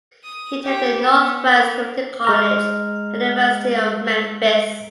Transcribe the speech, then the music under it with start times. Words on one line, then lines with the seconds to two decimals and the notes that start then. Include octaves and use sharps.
He attended Northwest Community College and the University of Memphis.
0.24 D#6
0.64 G4
0.97 B3
1.52 A#3
2.25 G#3 A#5 F6